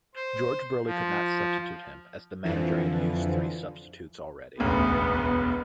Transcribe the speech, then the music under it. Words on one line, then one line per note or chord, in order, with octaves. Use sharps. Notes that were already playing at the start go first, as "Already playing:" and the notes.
George Burley could not substitute him as the manager had used three substitutes already.
C5
F3
F2 D3 E3 F3
E1 A1 D2 B3